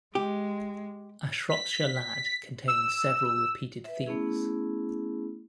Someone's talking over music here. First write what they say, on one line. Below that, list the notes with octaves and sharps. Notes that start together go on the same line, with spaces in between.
"A Shropshire Lad" contains several repeated themes.
G#3 G4
B6
E6
B4 E5
A3 B3 C#4 E4 G#4